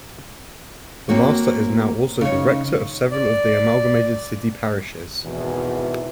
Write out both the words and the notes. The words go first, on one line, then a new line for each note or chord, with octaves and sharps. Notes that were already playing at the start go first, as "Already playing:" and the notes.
The Master is now also the rector of several of the amalgamated city parishes.
A#3 C4 F#4 C#5
C#3 D#4 C#5
D5
G#1 E2 B2